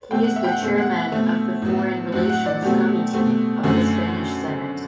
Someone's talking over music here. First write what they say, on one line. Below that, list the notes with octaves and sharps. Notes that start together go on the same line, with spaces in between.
He is the Chairman of the Foreign Relations Committee of the Spanish Senate.
B2 A3 C4 G5
F#5
E5
G5
F#5
B2 A3 C4
F#5
F#5
B2 A3 C4 E5
A2 F#3 B3
A2 F#3 C4 F#5
F#5
D5
B2 F#3 A3 C4 G4
B2 A3 C4
F#2 D3 A3 C4